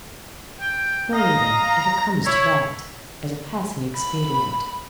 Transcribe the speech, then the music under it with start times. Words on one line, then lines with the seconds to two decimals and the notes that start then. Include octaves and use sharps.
Nor even, if it comes to that, as a passing expedient.
0.60 G5
1.13 D#5 F5 A#5
2.25 E4 C#5
3.96 B5